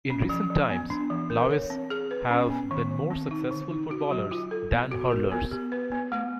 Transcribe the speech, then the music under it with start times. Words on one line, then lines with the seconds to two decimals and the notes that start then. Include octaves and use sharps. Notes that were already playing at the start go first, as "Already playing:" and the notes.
In recent times Laois have been more successful footballers than hurlers.
0.10 C#4
0.30 F3
0.50 F3
0.70 B3
0.90 D4
1.10 E3
1.30 A#4
1.51 C#5
1.70 C4
1.90 G#4
2.11 B4
2.30 C#4
2.50 B3
2.71 D#3
2.91 D#3
3.11 C4
3.31 D#4
3.51 D3
3.71 D#4
3.91 F#4
4.11 F#3
4.31 F4
4.51 A4
4.71 B3
4.91 F#4
5.11 A#4
5.32 B3
5.51 G4
5.72 B4
5.92 B3
6.12 A3